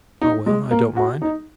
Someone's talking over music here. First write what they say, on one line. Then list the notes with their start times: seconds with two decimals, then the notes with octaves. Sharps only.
"Oh well--I don't mind."
0.21 D#4
0.46 G#3
0.71 A#3
0.97 F#4
1.22 D#4